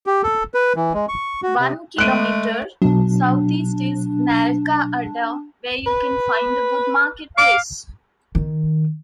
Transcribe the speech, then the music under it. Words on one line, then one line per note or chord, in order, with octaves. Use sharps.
One kilometer south east is Nalka Adda where you can find a good marketplace.
G4
A4
B4
E3
G#3
C#6
F#4
C3
G#3 A3 F#6 D7 D#7
B2 F#3 D4
B4
F5 D6
D#3